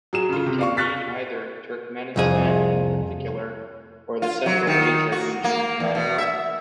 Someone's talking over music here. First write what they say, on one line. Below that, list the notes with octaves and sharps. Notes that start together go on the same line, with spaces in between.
It can mean either Turkmenistan in particular, or the Central Asia region in general.
F#3 G#4 E7
C#3 F4
C3
D5 F5 C#6
C#6 F6 F#6 A6 B6
C2 F2 G#4
F4
F#3
D#3
F#4
A#3
E2
B2
E5